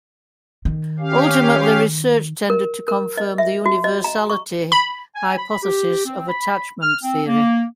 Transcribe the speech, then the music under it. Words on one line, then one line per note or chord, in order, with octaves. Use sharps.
Ultimately research tended to confirm the universality hypothesis of attachment theory.
D#3
C#4 G4 F5
A#4
A#4
D#5
E5
F#4
D#5
A#5
C#6
B5
G#5
B5
G4
C4
B5
F6
C4
A#3